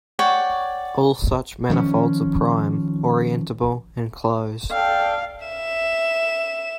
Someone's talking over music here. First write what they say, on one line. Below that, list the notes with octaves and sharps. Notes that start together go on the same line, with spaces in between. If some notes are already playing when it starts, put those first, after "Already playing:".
All such manifolds are prime, orientable, and closed.
C#5 D5 F#5 G5
D#3 F3 G3 C#4
A4 D5 F5 G5
E5 E7